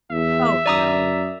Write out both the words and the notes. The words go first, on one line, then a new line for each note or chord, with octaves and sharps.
Oh, no.
E2 E5
F#2 D5 A#5 D#6